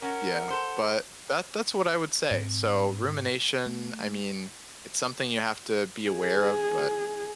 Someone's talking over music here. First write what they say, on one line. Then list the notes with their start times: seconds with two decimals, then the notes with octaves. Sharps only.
Yeah. But that that's what I would say. So, rumination, I mean, it's something you have to be aware of, but
0.02 C#4 A#4 F#5
0.50 A4 C5
2.31 G#2 C4
3.66 A3
6.11 G#4